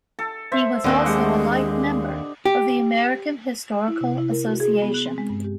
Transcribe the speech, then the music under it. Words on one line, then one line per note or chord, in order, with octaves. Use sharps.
He was also a life member of the American Historical Association.
A4
C5 E5
D#2 D3 C4 G#4 B4 D#5
G#3 G4 F#5
G4
E4
C3
E4
A#4
F#4
G#4
B3
F#6
C4
G#3
G2
G4